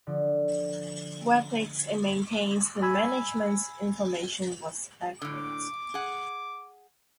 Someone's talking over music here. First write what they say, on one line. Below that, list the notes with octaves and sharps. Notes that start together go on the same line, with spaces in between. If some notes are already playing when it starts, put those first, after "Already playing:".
WebEx maintains the management's information was accurate.
D3 F3
G#5 B5 E6 G#6
A2 D3 D6
G#4 F#5